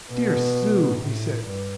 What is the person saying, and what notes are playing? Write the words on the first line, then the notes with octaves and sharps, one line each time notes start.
"Dear Sue!" he said.
B2
A2
G2